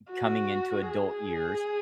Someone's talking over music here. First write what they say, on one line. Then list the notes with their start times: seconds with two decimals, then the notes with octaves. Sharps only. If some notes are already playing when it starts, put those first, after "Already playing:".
coming-into-adult years,
0.11 F#4
0.89 G#4